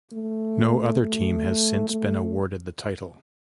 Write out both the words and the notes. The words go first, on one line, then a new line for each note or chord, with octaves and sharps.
No other team has since been awarded the title.
A3
A3
A3